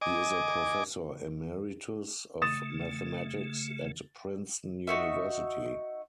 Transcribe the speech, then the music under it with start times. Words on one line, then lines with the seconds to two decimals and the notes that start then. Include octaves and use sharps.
He is a professor emeritus of Mathematics at Princeton University.
0.01 D#5 G#5 D6
2.42 C#3 A3 D#6 A6 E7
4.87 D#4 F#4 E5